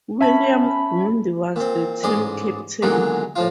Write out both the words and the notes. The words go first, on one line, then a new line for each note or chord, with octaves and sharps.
William Gundy was the team captain.
C#4 E5 A5 B5
A#2 C4
A1 G#2 G#4 D5 C6 D#6
E2 A#2 D3 D#3 F#3 G#3
A2 F3 F4